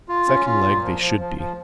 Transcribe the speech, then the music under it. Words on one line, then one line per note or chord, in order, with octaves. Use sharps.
Secondleg they should be.
F4
C#4
F4
A#2
F3
F3
F3
F3